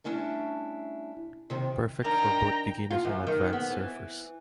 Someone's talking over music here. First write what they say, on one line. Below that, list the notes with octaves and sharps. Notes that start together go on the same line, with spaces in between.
Perfect for both beginners and advance surfers.
G3 A3 C#4 D4 E4
C3 D#3 C4
D#3 D4 G5 A#5
F4
F#2
D#3
B3
E3